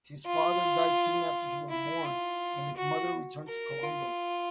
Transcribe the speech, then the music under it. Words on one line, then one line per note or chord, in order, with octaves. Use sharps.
His father died soon after he was born and his mother returned to Colombo.
F4
E4
F4
F#4
A#4
F4